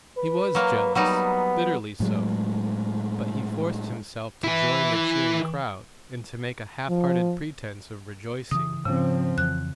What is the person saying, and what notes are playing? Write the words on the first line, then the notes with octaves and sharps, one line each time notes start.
He was jealous--bitterly so; but he forced himself to join the cheering crowd and to make a half-hearted pretense of rejoicing.
B4
F#3 A#3
F#3 G3 B3 D#4
A2 F#3 G#3
E3 E4
F3
C#3 E3 D#6
G#2 C#3 F3 C4 C#4
F2 E3 F#6